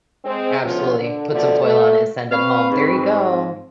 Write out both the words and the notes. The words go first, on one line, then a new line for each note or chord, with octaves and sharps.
Absolutely. Put some foil on it and send them home. There you go.
G#3 C4
D2 F3 B3 C#4 F4
D3
B2 D3 F3 A3 D5
A3
C4 B4 F5 C#6
G#2